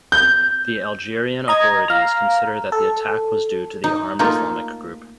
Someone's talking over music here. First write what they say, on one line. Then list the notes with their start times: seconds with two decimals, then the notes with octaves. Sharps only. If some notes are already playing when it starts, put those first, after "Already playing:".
The Algerian authorities consider that the attack was due to the Armed Islamic Group.
0.12 G6
1.48 D#5 A#5 G#6
1.88 F5 A#5
2.72 A4
3.84 D#4
4.19 A3 A#3 D#4 F4